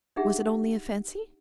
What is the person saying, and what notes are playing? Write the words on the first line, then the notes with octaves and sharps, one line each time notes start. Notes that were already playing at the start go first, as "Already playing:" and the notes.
Was it only a fancy?
D4 D#4 G4 G#4 E5 F#5